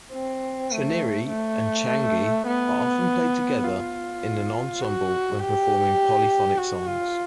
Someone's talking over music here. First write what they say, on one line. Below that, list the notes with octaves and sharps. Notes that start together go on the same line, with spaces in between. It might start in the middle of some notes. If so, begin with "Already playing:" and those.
Chuniri and Changi are often played together in an ensemble when performing polyphonic songs.
C4
A3
A3
B3
F4
F#4
G4
F#4
F4